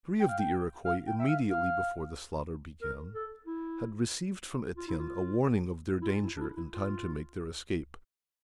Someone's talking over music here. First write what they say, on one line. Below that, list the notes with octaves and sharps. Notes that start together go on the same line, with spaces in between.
Three of the Iroquois, immediately before the slaughter began, had received from Etienne a warning of their danger in time to make their escape.
G5
F5
G5
F5
G5
E5
F5
F5
A#4
A4
E4
F4
E4
F4
E4
F4
E4
D4
E4
E4
F4